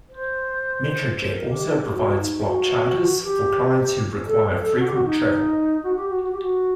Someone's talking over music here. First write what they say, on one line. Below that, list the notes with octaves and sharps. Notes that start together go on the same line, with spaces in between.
Metrojet also provides block charters for clients who require frequent travel.
C5
C5
A#4
G4
D#4
G4
F#4
D#4
F#4
G4
A4
A4
F#4
G4
F#4
D#4
F#4
G4
F#4
F#4
G4
F#4